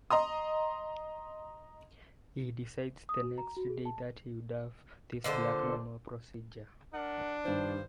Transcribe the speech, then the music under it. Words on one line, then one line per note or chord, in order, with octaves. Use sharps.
He decides the next day that he would have this Black-No-More procedure.
D#5 A#5 C6 D#6
D#6
F#4
A#5
F#4
G#4
A5
A#2 D3 A4 C5
D4 A#4 F#5
G2 D#3 F3 G4 C5